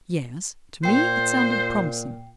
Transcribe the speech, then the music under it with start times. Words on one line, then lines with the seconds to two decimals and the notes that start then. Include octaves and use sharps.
"Yes?" To me it sounded promising.
0.84 A#2 C5 G5 C7